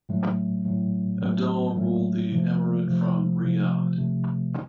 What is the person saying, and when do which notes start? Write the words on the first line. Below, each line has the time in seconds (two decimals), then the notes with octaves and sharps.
Abdullah ruled the emirate from Riyadh.
0.09 A2 F#3 A3
0.65 A2 F#3 A3
1.20 A2 F#3 A3
1.76 A2 F#3 A3
2.32 C3 F3 A3
2.87 C3 F3 A3
3.42 C3 F3 A3
3.98 C3 F3 A3